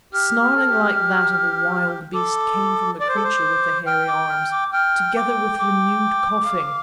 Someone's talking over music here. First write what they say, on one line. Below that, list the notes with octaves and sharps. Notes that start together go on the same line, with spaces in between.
Snarling like that of a wild beast came from the creature with the hairy arms, together with renewed coughing.
G4 F6
G4
A4
G4
A4 D6
D5 D6
C5
A4
C5
G5 F6
D6
F6
D6
G5 F6
D6
D6
F5